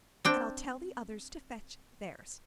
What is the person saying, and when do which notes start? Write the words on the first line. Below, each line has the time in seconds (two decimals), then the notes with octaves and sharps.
And I'll tell the others to fetch theirs.'
0.25 C4 D4 G5